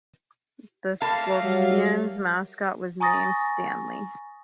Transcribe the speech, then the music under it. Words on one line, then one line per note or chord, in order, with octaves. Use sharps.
The Scorpions' mascot was named Stanley.
A3 A#3 F5 A5
F#3 G3
G#5 A#5 C#6 D#6 A6 A#6